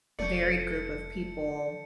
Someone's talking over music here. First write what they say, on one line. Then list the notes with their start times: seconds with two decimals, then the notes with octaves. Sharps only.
varied group of people,
0.19 F1 A3 C#4 D5 G6 C#7